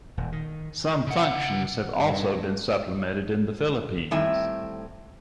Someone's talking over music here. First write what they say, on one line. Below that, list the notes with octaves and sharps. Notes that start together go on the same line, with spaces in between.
Some functions have also been supplemented in The Philippines.
D#1
D#3
C#3 F#5
G2
A2 D#3 G3 C4 E5 G#5